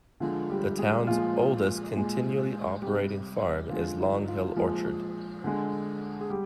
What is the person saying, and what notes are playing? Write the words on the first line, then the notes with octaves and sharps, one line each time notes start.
The town's oldest continually-operating farm is Long Hill Orchard.
D3 F3 G#3 F4
G3 G4
G#3 G#4
A#2 F3 G#3 F4
A#2 G#3
C3 G3 G4
D3 F3 G#3 F4
D#4
F4
A#2 F3 G#3
D3 G#3
G#4
G3 G4